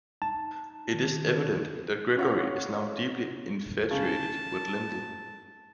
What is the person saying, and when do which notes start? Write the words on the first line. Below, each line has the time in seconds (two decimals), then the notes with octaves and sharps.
It is evident that Gregory is now deeply infatuated with Lyndall.
0.22 D#4 A5
0.94 D#3
2.17 C#4 F4 C#5 F#5
3.91 C#3 A5